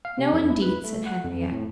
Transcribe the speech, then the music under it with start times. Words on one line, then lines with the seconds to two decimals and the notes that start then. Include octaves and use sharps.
"No, indeed," said Henriette.
0.05 F5
0.19 C3
0.33 F2
0.50 E4
0.62 B4
0.84 A3
1.06 F#5
1.24 F2
1.52 A2